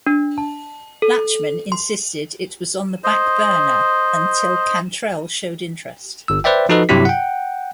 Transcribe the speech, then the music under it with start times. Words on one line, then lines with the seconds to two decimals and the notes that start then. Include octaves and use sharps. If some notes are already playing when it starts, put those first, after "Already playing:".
Lachman insisted it was on the "backburner" until Cantrell showed interest.
0.07 D4
0.38 A5
1.02 A4
1.72 C6
3.04 C5 D#5
6.28 G1 E6
6.44 B4 C5 D5 E5 G5
6.69 F3 D#4 F#4 A4 B4 D#5
6.89 G2 C3 F#3 E4 G4 B6
7.05 F#5 G5